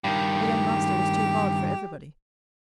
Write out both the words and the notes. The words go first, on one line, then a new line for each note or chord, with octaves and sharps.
Her young master was too hard for every body.
G2 D#3 G4